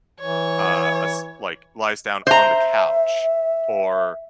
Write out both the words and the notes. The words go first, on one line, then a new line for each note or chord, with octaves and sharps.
uh, a s like, lies down on the couch or
E3 C#5
C5 E5 A#5